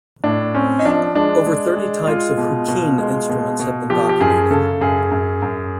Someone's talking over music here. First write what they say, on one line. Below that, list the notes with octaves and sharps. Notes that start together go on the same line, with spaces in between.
Over thirty types of "huqin" instruments have been documented.
A2 D4
C4 C#4
D#4
F3 D4
G#3 D4
G#3
G#3
G#3 F4
B2
B2
G#3
B2
B2
F3 G4
G4
F#2 G#4
C#3 A4
F#2 G#4
F#2
F#2